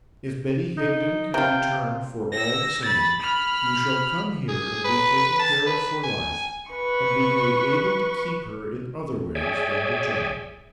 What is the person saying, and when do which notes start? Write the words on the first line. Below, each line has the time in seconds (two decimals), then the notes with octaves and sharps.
If Betty Higden can be turned for all the same, you shall come here and be taken care of for life, and be made able to keep her in other ways than the turning.'
0.77 D#4
1.34 C3 F4 G5
2.32 E6 A#6
2.82 B5 A6
3.20 B5 F6
4.48 G#4
4.84 B4
5.39 A5
5.66 B4
6.03 G#5
6.71 B4 C#6
9.35 G#4 C#5 D5 E5 G5 G#5